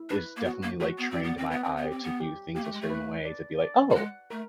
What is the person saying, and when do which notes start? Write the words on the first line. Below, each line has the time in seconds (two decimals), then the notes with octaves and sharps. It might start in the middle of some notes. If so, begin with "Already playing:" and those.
it's definitely, like, trained my eye to view things a certain way to be, like, "Oh,
Already playing: E4
0.09 D4 B4
0.37 A#3
0.44 B3 F#4
0.63 A#3
0.80 A3 F#4
0.98 B3
1.11 C4 D5
1.24 B3
1.38 C4
1.50 B3 B4
1.64 C4
1.77 B3
1.85 G4
1.91 C4
2.03 B3
2.20 G4
2.55 A#3 G4
2.64 A3
2.73 G#3
2.81 A3
2.90 B4
3.25 D5
3.60 D5
3.91 G3
3.95 G#3 F#5
4.30 A3 A#4